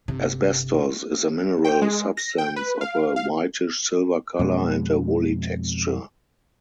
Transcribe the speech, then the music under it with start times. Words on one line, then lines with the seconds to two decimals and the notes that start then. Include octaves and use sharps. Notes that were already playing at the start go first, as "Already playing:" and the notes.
Asbestos is a mineral substance of a whitish silver color and a woolly texture.
0.08 G1 C3
1.65 G5
1.82 G#3
2.17 A#6
2.38 G5
2.56 B4
2.81 F5
3.16 F5
4.39 F2 B2 G#3